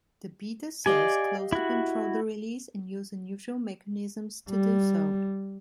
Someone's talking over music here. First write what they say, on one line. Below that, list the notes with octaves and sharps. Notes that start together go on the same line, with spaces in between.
The beta cells closely control the release, and use unusual mechanisms to do so.
G4 D5 D#5 F5 G#5
E4 F#4
G3